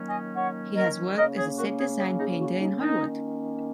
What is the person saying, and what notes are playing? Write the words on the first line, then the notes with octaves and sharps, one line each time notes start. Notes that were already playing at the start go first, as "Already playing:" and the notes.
He has worked as a set-design painter in Hollywood.
Already playing: D#3 F#3 A#3 C#4
D#5 G#5
C#5 F#5
A#4 D#5
C#3 A#3 C#4 A#4 D#5
G#4 C#5
F#4 A#4
G#4 C#5
G#4 C#5
D#4 G#4
F#4
D#4
D#3 A#3 C#4 D#4